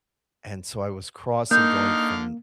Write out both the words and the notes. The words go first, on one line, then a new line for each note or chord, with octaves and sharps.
and so I was crossing going from
D3 A#3 D#4 F5 F6 G6